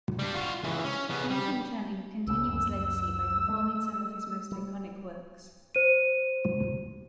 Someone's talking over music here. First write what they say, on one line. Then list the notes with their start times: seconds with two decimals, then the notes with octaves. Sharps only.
Bibbe and Channing continue his legacy by performing some of his most iconic works.
0.19 G3 D4
0.34 F4 F#4
0.64 C#2 E3
0.84 C#4
1.10 C#3 B3
1.30 G3
2.27 C2 C#3 E6
2.48 C#2 F#2
3.48 G#3 A3
4.52 G3
5.75 C5 D#7